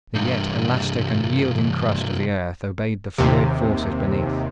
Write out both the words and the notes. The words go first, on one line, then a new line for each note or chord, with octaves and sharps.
The yet elastic and yielding crust of the earth obeyed the fluid forces beneath.
C2 G2
D#2 C3